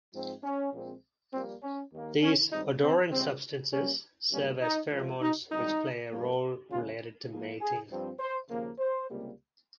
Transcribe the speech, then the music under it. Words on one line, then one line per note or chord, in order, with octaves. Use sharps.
These odorant substances serve as pheromones which play a role related to mating.
G#2 F3 C4
C#4
A#1 A#2 G#3 C4
A#1 A#2 G3 A#3 C4
C#4
D#2 D#3 A#3
C#4
G#1 G2 G3 C4 D#4
C4
C#2 C3 G3 C4
G2 G3 A#3 C#4
G#1 G2 G3 A#3 C#4
D#4
C#2 C3 F3
D#4
G#1 G2 G3 D#4
G2 F3 A#3
D#2 C#3 G#3 F4
G#2 F3 A#3
G#4
G2 F3 C4
C5
D#2 C#3 F3 A#3
C5
C#2 C3 G3 A#3